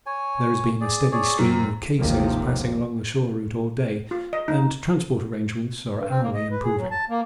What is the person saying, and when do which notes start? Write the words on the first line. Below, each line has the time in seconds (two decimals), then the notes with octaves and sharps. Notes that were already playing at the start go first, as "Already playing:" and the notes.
There has been a steady stream of cases passing along the shore route all day and transport arrangements are hourly improving.
0.06 C#5 G#5
0.81 G#4 D5
1.12 G#4 C#5 D5
1.39 F#2 C4
1.99 G#1 D#2 C3 D#3 F3
4.11 F4
4.33 D#5
4.48 D#4
5.94 G2
6.09 C4
6.22 A#3
6.34 D#5
6.51 B4
6.64 G#4
6.77 F#3
6.91 A5
7.09 A#3